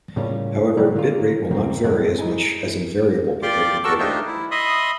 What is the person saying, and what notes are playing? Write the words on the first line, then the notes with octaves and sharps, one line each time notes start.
However, bitrate will not vary as much as in variable bitrate encoding.
A2 C#3 G3 A#3 C#4 F4
B2 E3 F#3 G3
D3 D#3 A#3 E4 F4
E2 C#3 A#3 C4
F#2 A2 C3 E3 G#3 E4
D#4 E4 G#4
F4 G4 D5 C6 D6
F#4 A4 A#4 A5 C#6 E6
A3 D4 D#4 F4 G4 C5
E4
D#5 E5 B5 C6 D#6